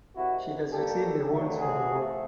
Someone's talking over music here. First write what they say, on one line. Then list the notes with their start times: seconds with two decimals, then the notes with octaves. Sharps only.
She has received awards for her work.
0.15 C2 C3 D#3 E4 F#4
0.72 B2 G3 A#3 G4 A4
1.30 F2 D3 F#3 A3
1.58 F#4 G#4
1.87 A2 F3 A3